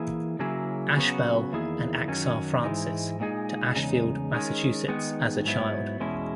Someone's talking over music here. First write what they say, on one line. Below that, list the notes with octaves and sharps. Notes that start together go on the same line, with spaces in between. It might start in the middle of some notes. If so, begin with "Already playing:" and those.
Ashbel and Achsah Francis, to Ashfield, Massachusetts as a child.
Already playing: E3 A#3 E4 G#4
C#3 F#3 A#3 E4 G#4
C#3 F#3 B3 F#4
E2 D#3 A#3 E4 G#4
F#2 D#3 F#3 C#4
G#2 E3 G#3 D#4
A#2 G#3 D#4 G#4
E2 C#3 G#3 D#4
D#3 G#3 C#4
D#3 G#3 B3 D#4
G#2 F#3 B3 E4
E2 B2 G#3 C#4 E4